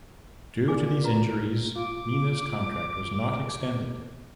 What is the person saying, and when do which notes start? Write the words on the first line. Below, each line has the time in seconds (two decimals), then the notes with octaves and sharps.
Due to these injuries Mina's contract was not extended.
0.68 A#2 G#4 G#5 D6
1.04 F#4 B4 A#5
1.76 F4 D6